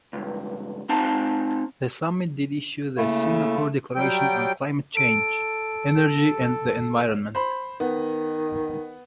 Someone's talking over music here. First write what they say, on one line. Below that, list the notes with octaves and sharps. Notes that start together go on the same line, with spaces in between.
The summit did issue the Singapore Declaration on Climate Change, Energy and the Environment.
C#2 G2
C4 D#4 F5 G5 A5 A#5
C#3 A3 A#3 E4
F#3 G3 G5
A4 D7
C5 B5
D#3 B3